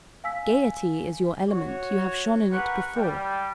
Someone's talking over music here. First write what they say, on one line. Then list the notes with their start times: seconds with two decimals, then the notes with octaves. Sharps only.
Gaiety is your element, you have shone in it before.
0.24 F5 G#5 E6 B6
1.50 F#4 C#5
2.50 G4 A#4 B4 F#5 C#6
2.96 G3 G5